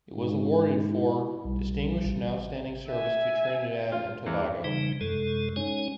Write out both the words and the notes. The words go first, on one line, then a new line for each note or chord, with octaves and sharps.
It was awarded for: distinguished and outstanding service to Trinidad and Tobago.
G#2
E4
B1 G3
A1
E5 G#5
F4
E2
C#3 E3 G3 D#4
F#2 C3 G#3 A4
G#3 C#4 D#4 C#5 G#5